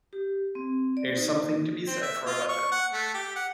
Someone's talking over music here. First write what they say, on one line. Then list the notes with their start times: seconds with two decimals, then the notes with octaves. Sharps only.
There's something to be said for a budget.
0.13 G4
0.55 C4
0.97 D5
1.17 D#4
1.87 C4
2.02 E5
2.26 F4
2.49 C#6
2.72 F#5
2.93 A3
3.13 G4
3.36 F#5